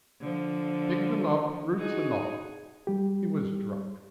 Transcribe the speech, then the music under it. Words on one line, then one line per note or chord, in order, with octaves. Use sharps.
Dig them up, roots and all.' He was drunk.
D3 F3
D#4 F#4 G#4
G3 G4